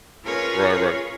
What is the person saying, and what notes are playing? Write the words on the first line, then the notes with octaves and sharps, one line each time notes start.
Right, right.
C#4 F4 G#4 A#4 B4 C#5